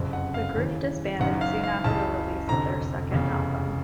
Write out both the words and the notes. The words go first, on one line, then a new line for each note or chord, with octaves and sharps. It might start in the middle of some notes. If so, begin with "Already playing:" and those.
The group disbanded soon after the release of their second album.
Already playing: F#1 F2 C3
F#5
F5
D#2 C#3 E3
F#1 F#2 D#3 F#5
F5
F5
C#2 C#3 E3 A5
F1 F2 D3 A#5
F1 E2 C#3